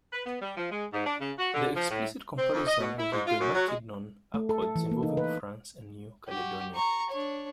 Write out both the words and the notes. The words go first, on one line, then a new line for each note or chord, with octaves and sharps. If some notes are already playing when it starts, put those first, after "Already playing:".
The explicit comparison was with the Matignon Accords involving France and New Caledonia.
B4
B3
G3
F3
G#3
G#2
D4
C#3
F#4
D3
F3
A2
C4
F2
D#5
B2
E4
G#2
F4
F#2
F#3
G#3
A3
A4
A4
E3
A#3
D#4
B4
F#4 G4
A#5 C#6
D4 C#5